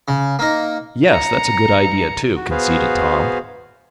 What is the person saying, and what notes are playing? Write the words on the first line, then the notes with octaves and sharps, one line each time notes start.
"Yes, that's a good idea, too," conceded Tom.
C#3
A#3 D#4
A#5 C#7
F#4
B3 F#4 G#4 B4 C5 F5